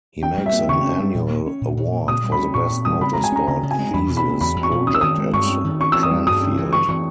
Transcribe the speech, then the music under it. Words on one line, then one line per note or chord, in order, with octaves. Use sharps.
He makes an annual award for the best motorsport thesis project at Cranfield.
C#4 G5
G3
E5
A#3
C#3 C#6
C#4
G3
A#2
A#3
C#4
A#2
A#2
A#3
A#2 D#6
G3
B5
C#4
A#2 C#6
A#2
G3 D#6
C#3 B5
A#5
G#3
G#5
C#4 A#5
C#3 A#5
C#3
G#5
G#3
E2 B5
B2
B5
A#3
E2 B5
E2
C#6
B2
C#4 D#6
E6
D#3 D#6
G#3
G2 C#6
C#4
D#3
C#4 C#6
E6
E3
D#6
G3
G2 D#6
C#4
E3
G2 C#6
E3 C#6